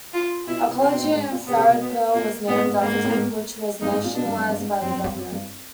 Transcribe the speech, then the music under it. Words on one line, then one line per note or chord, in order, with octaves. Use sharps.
A college in Faridpur was named after him, which was nationalised by the Government.
F4
B2 E4
C3
C3 C4
B2
A2
G#2
A#2
C3 B3
C#3
C3
B2
B3
A#2 A#3
A2 B3
G#2
G#2 A#3
G#2
A2
G#2
G2 D#4
G#2
A#2
B2 D4
G2
G2
G2
G#2
F#2 C4
F#2
G2
F#2
G2